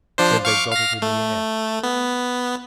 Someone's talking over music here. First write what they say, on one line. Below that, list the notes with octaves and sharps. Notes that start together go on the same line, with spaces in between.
Said they got it in the air.
F3 D4 C5
F5 C#6 D6
F5 A#6
A3
B3